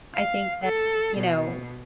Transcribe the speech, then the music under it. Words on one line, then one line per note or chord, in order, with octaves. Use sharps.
I think that, you know,
F5
A4
B2